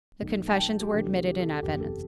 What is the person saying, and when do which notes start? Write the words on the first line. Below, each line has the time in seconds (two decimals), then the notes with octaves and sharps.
The confessions were admitted in evidence.
0.21 B1 B2 A3
0.48 A5
0.55 G5
0.80 G4
0.91 D2 C3 E3 A3 D4 G4
1.26 G4
1.39 A4
1.51 A4
1.62 F#1 E2 C3 G4
1.81 A4